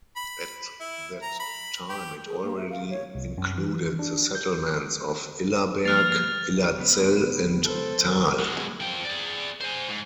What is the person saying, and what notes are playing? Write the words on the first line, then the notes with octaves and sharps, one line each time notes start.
At that time it already included the settlements of Illerberg, Illerzell and Thal.
B5
E4
A#5
B5
G4
G#4
A#3
E5
F5
C#5
C2
F#2
E3
D4
G6
F3 A#3 F6 A6
C#2 B3
A4 C5
B2 G#3
F3 G5
G#4 D5
C5 G#5
G#2